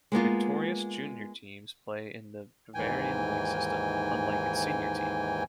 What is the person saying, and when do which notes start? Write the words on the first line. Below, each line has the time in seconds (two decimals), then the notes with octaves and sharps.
"Viktorias" junior teams play in the Bavarian league system, unlike its senior team.
0.12 G#3 A#3 B3 F4
2.74 D#2 G#2 E3 G5 G#5